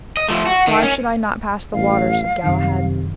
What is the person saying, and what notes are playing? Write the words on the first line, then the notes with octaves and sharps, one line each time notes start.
Why should I not pass the water? said Galahad.
D#5
F3 A3
F#4
D#3
C#4
A1 F5
F#2 C3 D#3